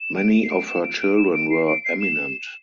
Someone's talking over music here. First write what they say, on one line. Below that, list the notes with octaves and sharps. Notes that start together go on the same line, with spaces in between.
Many of her children were eminent.
E7
D7
E7
C7
D7
E7
D7
D7
E7
D7
C7
D7
C7
E7